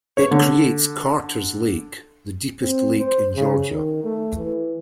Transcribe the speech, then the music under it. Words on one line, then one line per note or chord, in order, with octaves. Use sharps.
It creates Carters Lake, the deepest lake in Georgia.
C#5
D3
C4
C5
C#3
D#3
A3
E3